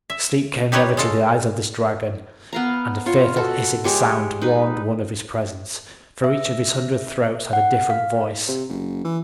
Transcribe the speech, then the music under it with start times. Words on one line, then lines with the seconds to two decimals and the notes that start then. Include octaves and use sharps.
Sleep came never to the eyes of this dragon and a fearful hissing sound warned one of his presence, for each of his hundred throats had a different voice.
0.10 E5
0.72 D#4 G4 B4 C#5 D#5
0.97 G#3 F4 A4
2.53 B3 F5 A#5
3.06 F4 C#5
3.36 F#4 A4
3.84 G#3 G4 C#5
4.42 D#4 B4
6.24 E5
7.53 F#5
7.90 F5
8.48 C3
8.69 F#1
9.05 E3